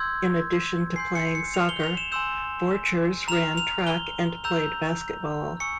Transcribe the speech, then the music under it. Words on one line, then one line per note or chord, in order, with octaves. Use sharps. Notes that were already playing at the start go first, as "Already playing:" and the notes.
In addition to playing soccer, Borchers ran track and played basketball.
Already playing: C6 E6 G6 G#6
G#5 C6 G6 C7
C#7
C#7
F7
G7
F7
E7
G#5 C6 E6 G6 E7
A#5 F6 F7
F7
G7
A#5 E6 G6 F7
G#5 C#6 E6 C#7